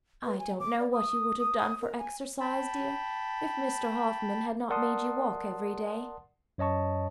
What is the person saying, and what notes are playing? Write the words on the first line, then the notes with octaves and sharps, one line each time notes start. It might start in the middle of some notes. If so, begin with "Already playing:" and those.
'I don't know what you would have done for exercise, dear, if Mr Hoffmann had not made you walk every day.
B4
G#5
D6
D5
D#6
D#6
D#6
A#4
G#5
G5 A5 B5
A#4 D5 F#5 A5 C6 D#6
F#2 C#5 D#5 A5 C#6